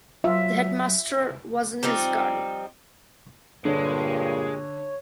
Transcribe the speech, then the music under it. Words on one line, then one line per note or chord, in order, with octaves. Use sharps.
The headmaster was in his garden.
F#3 F4 C5 E5 F5
F3 G3 C4 D#4
G2 A#2 D3 G#3 C#5